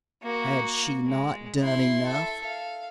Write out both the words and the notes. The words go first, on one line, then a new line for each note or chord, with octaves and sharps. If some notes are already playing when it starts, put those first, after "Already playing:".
Had she not done enough?
A#3 F#4
G#3
E4 C6
A4 E5
F5